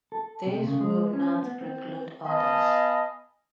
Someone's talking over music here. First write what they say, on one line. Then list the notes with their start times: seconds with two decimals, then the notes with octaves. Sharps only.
This will not preclude others.
0.12 A4
0.46 C3
0.67 C#3
0.80 G#3
1.13 C#4
1.43 B3
1.61 C4
2.26 B3 D#5 F5 G#5 A5 B5